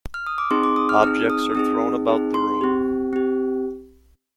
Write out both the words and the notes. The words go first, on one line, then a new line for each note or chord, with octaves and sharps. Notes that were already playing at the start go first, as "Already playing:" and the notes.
Objects are thrown about the room.
F6
D#6
D6
C4 D#4 G#4 C6
D6
D#6
F6
C4 D#4 G#4 F6
D#6
C4 D#4 G#4 D#6
C4 D#4 G#4
C6
C4 G4
C4 G4